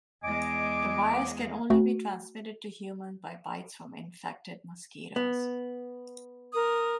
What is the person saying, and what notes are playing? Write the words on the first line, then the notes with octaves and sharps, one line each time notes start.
The virus can only be transmitted to humans by bites from infected mosquitoes.
E2 G#3 D#5 G#5 D6 D7
A3 F#4
B3
A#4 D#6